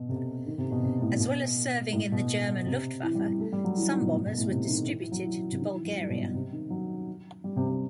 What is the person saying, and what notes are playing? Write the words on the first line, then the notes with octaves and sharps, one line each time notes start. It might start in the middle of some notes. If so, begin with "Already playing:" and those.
As well as serving in the German "Luftwaffe", some bombers were distributed to Bulgaria.
Already playing: B2
C3
D#3
C3
B2
C3
A2
B2
A2
B2
C3
E3
G3
G3
A3
G3
F#3
E3
D#3
B2
A2
B2
A2
C3
D#3
E3
E3
F#3
E3
C3
D#3
E3
F#3
G3
B2
B2
C3
D#3
F#3
G3
C3
C3